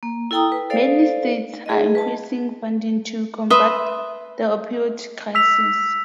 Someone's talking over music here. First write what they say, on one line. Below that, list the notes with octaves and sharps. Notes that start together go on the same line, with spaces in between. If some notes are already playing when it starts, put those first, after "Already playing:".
Many states are increasing funding to combat the opioid crisis.
A#3
E4 A4 G5 A#5 D#6
B4
A4 C5 D5 F5
G#4 D#5
B4 A5
B4 E5 C6 D#6
E6 B6 F7